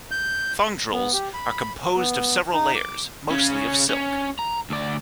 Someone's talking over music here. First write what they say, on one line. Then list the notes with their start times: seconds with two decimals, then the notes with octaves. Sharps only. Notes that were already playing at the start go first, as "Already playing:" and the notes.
Thongdrels are composed of several layers, mostly of silk.
0.11 G6
0.92 B3
1.13 G4
1.34 B5
1.96 B3
2.53 D#4
2.75 D6
3.30 C#3 C#4
3.89 C#4
4.39 A#5
4.70 D2 D5